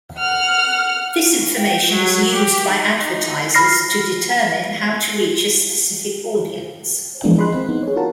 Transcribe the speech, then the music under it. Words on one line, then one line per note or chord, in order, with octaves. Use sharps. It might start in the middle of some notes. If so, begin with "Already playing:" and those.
This information is used by advertisers to determine how to reach a specific audience.
F#5 F6
G5
F#3
G4
D#4
D#4
B5 F6 A#6 C7
E3 F3 G#3 A#3 B3 D4
G#4 D#5 B5 C6 F#6
C4
B3 D#4
G#4 C#5
F4 F#4 A#4 F#5 A5